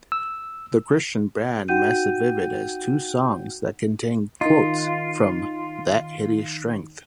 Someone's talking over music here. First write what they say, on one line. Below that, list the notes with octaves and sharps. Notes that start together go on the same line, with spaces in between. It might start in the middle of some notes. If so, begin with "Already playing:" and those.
The Christian band Massivivid has two songs that contain quotes from "That Hideous Strength".
E6
D#4 F#4 F#5 G5 G6 D#7
D#3 D#4 F4